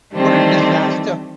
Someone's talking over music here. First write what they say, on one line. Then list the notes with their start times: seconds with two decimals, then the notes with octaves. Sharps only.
What a disaster!
0.14 D#3 E3 G3 A3 C4